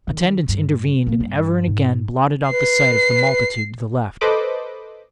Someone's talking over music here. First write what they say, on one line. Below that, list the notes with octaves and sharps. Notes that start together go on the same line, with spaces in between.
Attendants intervened, and ever and again blotted out the sight of the multitude to the left.
D#3
G2
A#3
G2
G#2
B4 C7
A4 B4 C5 D#5 B5 D6